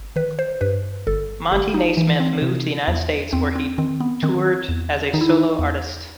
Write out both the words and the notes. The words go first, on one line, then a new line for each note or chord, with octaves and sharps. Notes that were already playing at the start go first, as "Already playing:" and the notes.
Monty Neysmith moved to the United States, where he toured as a solo artist.
Already playing: G1
D#3 B4
C5
G2 B4
G1 A4
G1 G4
D#4
E3
C4
C3
E2
E2 C4
C4
D#3 C4
B3
D#3 C4
E2
D#3 D#4
E4
D#4
E2